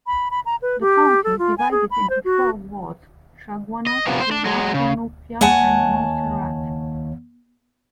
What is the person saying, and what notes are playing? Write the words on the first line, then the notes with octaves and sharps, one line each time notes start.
The county is divided into four Wards: Chaguanas, Couva, Cunupia and Montserrat.
B5
B5
A#5
B4
G4
A4
F4
G#5
G#4
B5
C5
F#4
D#5
C3 F3 G3 A#3 B3 D4
C5
D4
F#3 G#3
C#3
D#2 C#5 F#5 G#5 A5